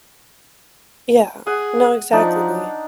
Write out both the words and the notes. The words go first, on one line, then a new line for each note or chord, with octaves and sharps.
Yeah. No, exactly.
G#4 F#5
F3 D4 D#4 D5